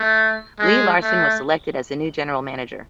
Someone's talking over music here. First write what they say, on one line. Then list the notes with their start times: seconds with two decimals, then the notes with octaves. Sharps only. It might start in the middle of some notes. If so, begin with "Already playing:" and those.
Lee Larson was selected as the new General Manager.
Already playing: A3
0.59 G#3
1.02 A3